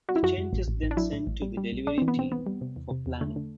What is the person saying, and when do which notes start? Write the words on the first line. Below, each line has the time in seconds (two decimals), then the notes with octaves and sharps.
The change is then sent to the delivery team for planning.
0.09 G3 F#4
0.16 E4
0.23 F#2 F#4
0.38 F#2
0.53 A1
0.68 A1
0.83 A1
0.91 D4
0.97 F#3 E4
1.12 A2
1.27 A1
1.42 G3
1.57 G3
1.72 B1
1.87 B1 D4
1.98 E3 C4
2.08 B3
2.17 B1 C4
2.31 E2 B3
2.47 G3
2.61 C3
2.76 E2
2.91 C3
3.06 E2
3.21 D3 A3
3.36 D3